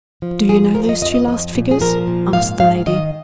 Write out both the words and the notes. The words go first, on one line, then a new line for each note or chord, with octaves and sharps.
"Do you know those two last figures!" asked the lady.
F3
F2 G#4
F3 A#4
D#5
F2 D#5
D#5
F3 D#5
A#2
G#4
F3 A#4
A#2
G#2 F5
G#2 F5
D#3 D#5